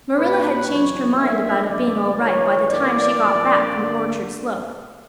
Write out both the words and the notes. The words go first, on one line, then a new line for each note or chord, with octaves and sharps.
Marilla had changed her mind about it being all right by the time she got back from Orchard Slope.
A#2 G3 C#4 B4
F#2 C#3 E3 C#5
B1 A#2 A#3 D4 E5
F#2 D3 G3 D5
G1 G2 E3 C#5
G2 E3 A#3 D5
A#1 A#2 A#3 D4
G2 D3 A#3